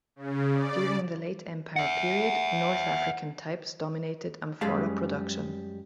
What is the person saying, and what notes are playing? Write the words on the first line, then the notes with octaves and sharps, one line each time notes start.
During the late empire period, north-African types dominated amphora production.
C#3
D5
E5 F#5
F#2 G3 G#3 G#4 F5 A5